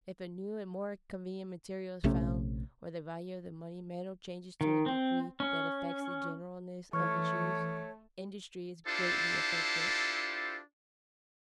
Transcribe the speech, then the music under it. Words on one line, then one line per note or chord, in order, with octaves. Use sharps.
If a new and more convenient material is found, or the value of the money metal changes to a degree that affects the generalness of its use, industry is greatly affected.
A#1 C3 A3 C#4
D#3
C4
C#4
E3 A3 C#5 C#6 F6 G#6
D4 E4 F4 G4 A4 C5